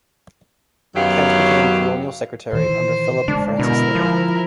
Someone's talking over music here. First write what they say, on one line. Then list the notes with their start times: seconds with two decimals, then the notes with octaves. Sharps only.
Kent became Colonial Secretary under Philip Francis Little.
0.96 F#2 D#3 F#3 B3 G4 F5
2.53 A#2 D#3 E3 C5
3.28 D3 G#3 D4
3.59 B2 E4 A#4
3.95 F3